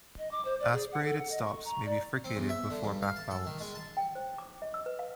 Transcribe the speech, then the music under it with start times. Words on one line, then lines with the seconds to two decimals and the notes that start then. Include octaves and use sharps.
Aspirated stops may be fricated before back vowels.
0.18 D#5
0.31 D6
0.45 C5
0.60 D5
0.73 G#4
0.92 F#5
1.04 A4
1.18 F#5
1.31 D#5
1.45 C#6
1.65 A#5
1.85 D5
2.24 C4
2.36 E2
2.49 E5
2.70 D3
2.84 G2
3.02 F5
3.16 A5
3.30 A4
3.47 D#3
3.61 G#3
3.75 A5
3.97 G5
4.15 C5
4.38 D6
4.62 D#5
4.74 E6
4.86 B4
4.99 F5